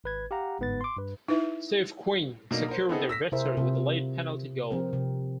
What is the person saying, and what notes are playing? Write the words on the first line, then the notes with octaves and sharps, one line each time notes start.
Steve Quinn secured their victory with a late penalty goal.
G#1 B4 G#6
G4 F5 F#5 A#5
G1 G#2 B3 B4 A6
C6 D6
G2 B4
D#4 E4 B4 E5
B2 F#3 A#3 D4 D#4
A#4 C5
B3 C4 D#4 E4 G#4 A4
E6 A#6 B6
C3 E4 G#4 A#4 C5 E5
C3 F4
F3 C4 A#4
C3